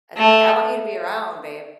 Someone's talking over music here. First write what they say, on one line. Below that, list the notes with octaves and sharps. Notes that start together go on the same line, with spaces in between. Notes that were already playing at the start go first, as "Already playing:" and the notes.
Uh like, "I want you to be around, babe."
A3